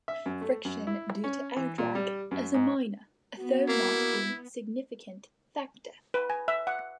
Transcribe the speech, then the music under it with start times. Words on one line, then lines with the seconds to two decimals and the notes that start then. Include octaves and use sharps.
Friction due to air drag is a minor, although not insignificant, factor.
0.08 E5
0.26 F#2
0.41 A3
0.65 F#2
0.87 E4
1.24 C#4
1.57 E3
1.78 A#2
1.95 G3
2.31 F#2
2.54 G#2
3.39 B3 F#4
3.68 A#3 E4
6.14 B4
6.30 G#5
6.48 E5
6.67 F#5